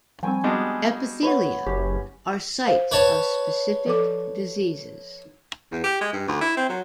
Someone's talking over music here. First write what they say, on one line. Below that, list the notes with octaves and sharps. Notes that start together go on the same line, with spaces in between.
Epithelia are sites of specific diseases.
F3 G3 C4 G5 G#5 C#6
G3 G#3 B3 D4 F#4
B4 C#5 F#5
F#1 C#4 G4
C5 F5
B4 C#5 A5
F3 A4 D6
E2
G4
G#3
G2
D2
E4
C4
F#3